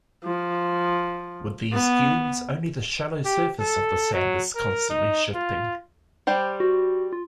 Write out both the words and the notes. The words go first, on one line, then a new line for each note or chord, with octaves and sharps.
With these dunes only the shallow surface of the sand is constantly shifting.
F3
B3
G4
A4
F#3
A#4
D#4
F4
G3 G4 C5
F#4
F4